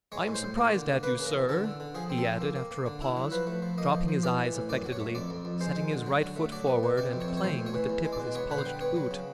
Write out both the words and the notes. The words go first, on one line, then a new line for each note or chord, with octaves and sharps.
"I am surprised at you, sir," he added, after a pause, dropping his eyes affectedly, setting his right foot forward, and playing with the tip of his polished boot.
G#3 C#5
A2
C5
A2
A#3
D3
A#3
A#3 B4
C#3
A#4
E2
D3 A4
D3
D3
F3 G#4
C4
A4
F3
A#3
A#3
A#3
D3
E4
F#3
F3 B4
A3
F3
A#3 D#5
F3
F3
E3 D5
E3
A2
F#2 D5
F#3
C#5
A3
F2 D5
F2
F2
G#3 C5
G#3
D3
F#3
D3
A3
F#3 D5
B3
B2
C3 D5
F2
C#5
C3
C#5
A2 C5
A2
C#5
E3
E2
G#3
D5
B2
B3 C#5
D3 B4
C5
G3
B3 C#5
F#3
C#3